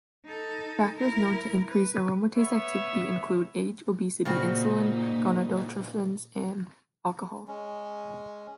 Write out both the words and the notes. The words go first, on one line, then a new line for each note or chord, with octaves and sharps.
Factors known to increase aromatase activity include age, obesity, insulin, gonadotropins, and alcohol.
D#4 A4
E4 A#4
B4
B3 B4 C#5 E5
A#2 C#3 C4 D#4 F#4
G#3 C#4